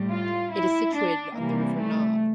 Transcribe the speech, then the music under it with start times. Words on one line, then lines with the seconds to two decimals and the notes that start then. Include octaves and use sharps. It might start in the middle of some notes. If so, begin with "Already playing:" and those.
It is situated on the river Naab.
Already playing: A2 G3
0.11 F4
0.52 E4
0.95 D4
1.37 C3 E3 G3 A#3
1.79 A3